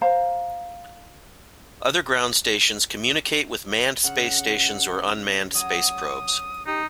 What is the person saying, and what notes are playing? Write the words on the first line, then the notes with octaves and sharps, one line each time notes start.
Other ground stations communicate with manned space stations or unmanned space probes.
C5 F5 A#5
C#3 F#5
F#3 D#6
D#4 G4